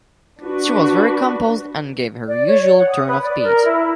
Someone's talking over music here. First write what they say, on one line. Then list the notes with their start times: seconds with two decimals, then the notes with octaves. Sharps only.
She was very composed and gave her usual turn of speed.
0.43 D4 F#4 B4
2.27 D5
2.46 C#5
2.77 F#5
2.89 D#6
3.07 B4
3.22 D5
3.43 A#4
3.65 E4